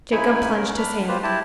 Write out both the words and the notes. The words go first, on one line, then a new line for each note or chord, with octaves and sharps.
Jacob plunged his hand.
C#3 G#3 D#4 E4 G#5 B5
C#4 A#4
D4 B5 F6
F4 G4 B4 C5
E4 G4 A5